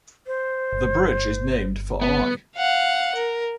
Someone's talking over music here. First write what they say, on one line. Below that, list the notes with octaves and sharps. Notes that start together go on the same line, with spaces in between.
The bridge is named for I.
C5
G1
B3
F5 F#5
A#4